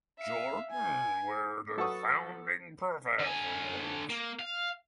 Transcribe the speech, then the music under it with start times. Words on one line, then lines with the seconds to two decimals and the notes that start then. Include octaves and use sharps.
Jordan were the founding professionals.
0.19 E5 F5
0.70 G#5
1.77 F#3 A4 B4 F#5 C#6 D#6
3.19 D3 G#5
4.09 A#3
4.39 F5